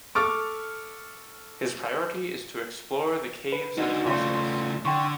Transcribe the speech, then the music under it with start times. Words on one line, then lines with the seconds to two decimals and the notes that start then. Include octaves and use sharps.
His priority is to explore the caves of Causses.
0.15 A4 C#6 D6 F6 A6 D7
3.52 B4
3.78 D4 D#4 F#4
4.06 C#3 A3 F4 D5 C6
4.85 D3 G5 C6 C#6